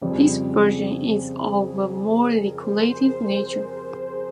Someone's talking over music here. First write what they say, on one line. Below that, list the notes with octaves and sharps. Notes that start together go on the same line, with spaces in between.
This version is of a more decorated nature.
F2 C#3 G3 C4 G#4
A#4
C5
C5